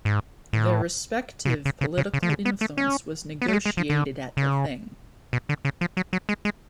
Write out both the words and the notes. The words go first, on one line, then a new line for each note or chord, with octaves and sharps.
Their respective political influence was negotiated at the thing.
G#2
A2
C#3
B2
C#3
C#3
C#3
C#3
F3
D3
B3
A3
C#4
B3
A3
G#3
G#3
F3
D3
C#3
B2
D3
C#3
F3
F#3
F#3
G#3
G#3